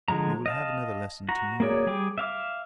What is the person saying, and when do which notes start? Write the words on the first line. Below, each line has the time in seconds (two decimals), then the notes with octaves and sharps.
We will have another lesson to-morrow.
0.08 D3 F3 G#3 A#5
0.46 D#5 F5 A5
1.29 F#4 A#5
1.60 A#3 F#4 G#4 C#5 D5
1.87 G3 G#4 G5 D6
2.18 E5 F5 D6